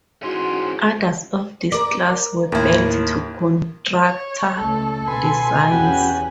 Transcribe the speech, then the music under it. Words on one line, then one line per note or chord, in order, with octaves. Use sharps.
Others of this class were built to contractor designs.
G#2 E3 C#4 F#4 C6
A#4 D5
D#2 A2 E4 A#4
C#5
C#2 A3 A4
B2 B4 G#5 C6
E2 C#4 F#4 G4 B4